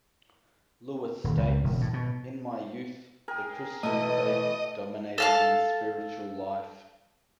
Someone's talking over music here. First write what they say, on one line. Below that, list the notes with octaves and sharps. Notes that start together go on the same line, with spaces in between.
Luis states, In my youth, the Christian faith dominated my spiritual life.
D#1
C#2
E1
A2
B2
G#4 A#4 G5
B2 E3 A3 A4 D#5
A4 F5 A5